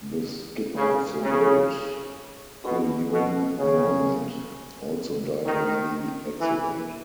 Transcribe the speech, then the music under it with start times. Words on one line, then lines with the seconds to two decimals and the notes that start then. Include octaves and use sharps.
The skipper of the boat, Guillaume Normant, also died in the accident.
0.75 C#3
1.22 C#3
2.63 B2
3.10 B2
3.57 C#3
5.44 D#3
6.38 E3